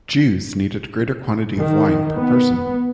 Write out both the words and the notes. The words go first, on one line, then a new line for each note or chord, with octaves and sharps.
Jews needed a greater quantity of wine per person.
D#3
B3